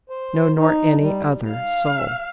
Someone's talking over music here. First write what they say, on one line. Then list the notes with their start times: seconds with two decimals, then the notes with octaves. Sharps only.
No, nor any other soul.
0.10 C5
0.56 D#4
1.00 G3
1.52 F5